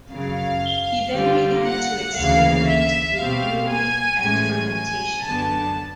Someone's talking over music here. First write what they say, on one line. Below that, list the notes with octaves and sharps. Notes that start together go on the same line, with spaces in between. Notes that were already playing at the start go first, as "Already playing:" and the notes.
He then began to experiment with brewing and fermentation.
F#2 C#3 F#3 F5
D3 G3 C4 F4
F#5
D2 C#3 E3 F5
E5
B2 G3 C4 F5
G#5
A2 E3 G#3 C#4 G#5
G#5
F#2 D3 F#3 B3 D4 A5